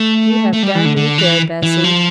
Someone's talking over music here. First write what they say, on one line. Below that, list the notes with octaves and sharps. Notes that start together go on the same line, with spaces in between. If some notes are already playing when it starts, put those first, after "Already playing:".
You have done me good, Bessy.'
Already playing: A3
A3
G3
E3
D3
D3
E3
E3
F3